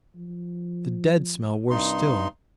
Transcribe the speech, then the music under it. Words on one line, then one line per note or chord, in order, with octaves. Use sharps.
The dead smell worse still!
F3
C2 G2 D#4 C6